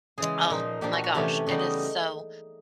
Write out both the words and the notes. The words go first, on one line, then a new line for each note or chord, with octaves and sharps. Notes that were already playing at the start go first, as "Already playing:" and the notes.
Oh my gosh, it is so,
C#3 E3 G#3 G#4
A#2 F3 A#3 D#4
A#2 F3 A#3 D4 G4
F#4
F#4
C3 E3 A3 C#4 G4
C#3 E3 G3 B3 D#4